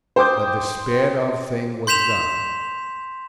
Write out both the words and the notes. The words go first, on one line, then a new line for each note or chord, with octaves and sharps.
The despaired-of thing was done.
C5 G5 C6 D6 D#6 G6
C6 G6 B6 E7 F7